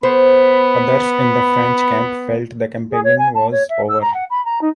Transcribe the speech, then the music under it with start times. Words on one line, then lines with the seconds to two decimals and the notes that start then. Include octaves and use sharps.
Others in the French camp felt the campaign was over.
0.03 B3 C5 B5
2.91 G#4
3.04 C#5
3.18 G#5
3.35 A5
3.52 C#5
3.69 E5
3.89 E6
4.02 A#5
4.14 F#5
4.31 B5
4.45 A#5
4.61 D#4